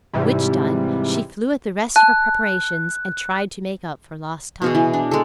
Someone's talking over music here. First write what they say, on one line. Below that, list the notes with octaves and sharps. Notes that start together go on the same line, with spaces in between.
Which done, she flew at the rest of her preparations and tried to make up for lost time.
G#2 C3 E3 G3
A5 F#6
B2 F#4 G#4
E3
D4
G#3 A4